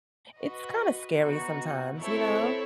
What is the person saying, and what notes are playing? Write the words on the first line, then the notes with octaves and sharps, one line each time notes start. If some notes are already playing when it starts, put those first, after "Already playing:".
it's kinda scary sometimes, you know,
F#4 B4 D#5
B3 D#4 F#4
C4 E4 A4 C#5